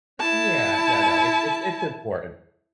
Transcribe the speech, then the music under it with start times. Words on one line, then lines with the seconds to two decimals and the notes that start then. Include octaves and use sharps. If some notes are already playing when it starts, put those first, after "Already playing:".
Yeah, no, no, it's it's it's important.
0.20 E4 A5